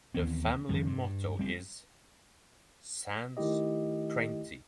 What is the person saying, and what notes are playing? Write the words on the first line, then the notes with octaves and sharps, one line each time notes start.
The family motto is "Sans crainte".
D#2 E3 B3 C4
F2 D#3 G3
G2
G3 C4
D#3 A3 E4 G4 D#5